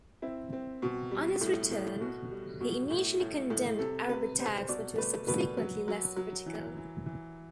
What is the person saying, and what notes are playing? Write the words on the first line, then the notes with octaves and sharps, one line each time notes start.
On his return, he initially condemned Arab attacks but was subsequently less critical.
C4 E4
C4
B2
G3
A2
A2
B2 F#4
G3
B2
A2
A2
A2
C3 A4
C3 B4
C3 C5
C5
B2 D5
A3 B4
B2 B4
F#3
F#3
F#3
E3
E3
E3